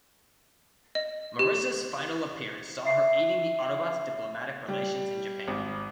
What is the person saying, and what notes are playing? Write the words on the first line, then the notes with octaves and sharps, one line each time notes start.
Marissa's final appearance saw her aiding the Autobots' diplomatic relations in Japan.
D#5
G4
E5 C7
G3
G#1